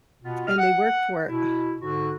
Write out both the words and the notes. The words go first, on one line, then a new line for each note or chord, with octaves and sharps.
and they work for, ugh,
B2 B3 F4
D#5 F6
F#5
B2 E4
G#2 D3 F#4